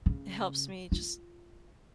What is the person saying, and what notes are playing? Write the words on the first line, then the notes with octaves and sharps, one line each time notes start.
it helps me just,
C#3
F4